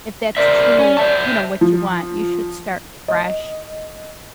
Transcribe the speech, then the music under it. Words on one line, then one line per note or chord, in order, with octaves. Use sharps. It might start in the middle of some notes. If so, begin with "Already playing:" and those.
if that's truly, you know, what you want, you should start fresh,
A#4 C5 D5 E5
C#4
C5 E5 A5
F3
D#5